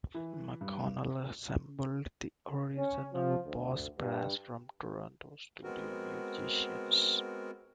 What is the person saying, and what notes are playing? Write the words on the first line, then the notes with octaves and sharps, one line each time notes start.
McConnell assembled the original Boss Brass from Toronto studio musicians.
E3
G2
C#4
F3
D2
G2
G#3 B3 C4 F#4 A#4